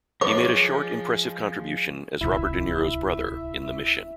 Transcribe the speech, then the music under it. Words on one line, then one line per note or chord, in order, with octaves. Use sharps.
He made a short impressive contribution as Robert De Niro's brother in "The Mission".
F3 G#3 C#5 D6
D1 C2 E4 E5